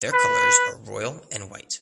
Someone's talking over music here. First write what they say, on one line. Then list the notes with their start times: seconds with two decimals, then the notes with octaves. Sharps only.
Their colors are royal and white.
0.13 B4